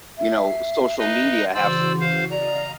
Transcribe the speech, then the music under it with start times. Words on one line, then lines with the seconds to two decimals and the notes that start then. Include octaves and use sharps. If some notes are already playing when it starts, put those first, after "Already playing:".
you know, social media have s
0.18 E5 C7
0.99 D#4 B4 D#5 E5
1.54 C#3 E3 F#4 C5 D5 C6 E6
2.00 C5 F5
2.31 D5 D#5 F5 A#5